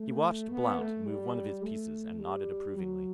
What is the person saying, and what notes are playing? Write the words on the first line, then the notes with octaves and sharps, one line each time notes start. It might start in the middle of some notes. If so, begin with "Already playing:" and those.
He watched Blount move one of his pieces and nodded approvingly.
Already playing: A3
B3
A3
G3
A3
G3
F#3